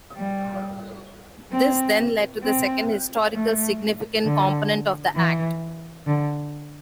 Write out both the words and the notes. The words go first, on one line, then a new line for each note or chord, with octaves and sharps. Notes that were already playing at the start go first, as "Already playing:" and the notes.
This then lead to the second historically significant component of the Act.
G3
C4
C4
A3
D3
E3
D3